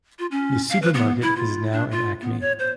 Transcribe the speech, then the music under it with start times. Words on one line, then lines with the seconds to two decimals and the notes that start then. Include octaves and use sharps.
The supermarket is now an Acme.
0.19 F4
0.31 C#4
0.70 F5
0.82 B4
0.94 B3
1.22 E4
1.36 F4
1.72 D4
1.91 F4
2.22 B3
2.41 C#5
2.59 C5